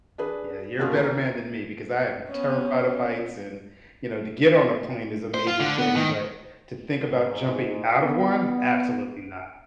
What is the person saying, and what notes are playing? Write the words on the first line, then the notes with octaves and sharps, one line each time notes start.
Yeah, you're a better man than me because I am terrified of heights and, you know, to get on a plane is a major thing, but, to think about jumping out of one? Absolutely not.
D4 G#4 B4
B2 A#3 C#4 F4
D#2 A#5
B3 C#4
C5
F4
D3
B3
D#3
G#2
B3